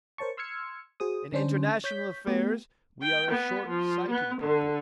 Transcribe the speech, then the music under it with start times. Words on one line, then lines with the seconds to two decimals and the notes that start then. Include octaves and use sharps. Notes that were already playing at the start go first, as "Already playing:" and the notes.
In international affairs we are a short-sighted people.
0.18 A#4 C5 C#5 A5 C#6
0.37 C6 E6 F6 G#6 C#7
1.00 F#4 G#4 C5 D#6
1.33 D3 C#4 D4 C5
1.84 C#5 G6 B6
2.27 A3 B3 G4
3.01 G5
3.30 B3
3.68 F3
4.09 B3
4.41 D3